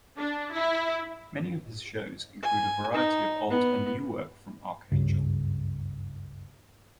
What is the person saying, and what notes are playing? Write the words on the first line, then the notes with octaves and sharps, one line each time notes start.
Many of his shows include a variety of old and new work from Arcangel.
D4
E4
G#5
D#4
B3
F#1 C#2 G2 C#3